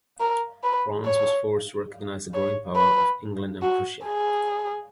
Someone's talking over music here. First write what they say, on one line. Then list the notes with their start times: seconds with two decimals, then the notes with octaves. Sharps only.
France was forced to recognize the growing power of England and Prussia.
0.20 A#4
0.64 B4
1.05 C#5
2.34 C#5
2.76 B4
3.62 F#4
4.05 G#4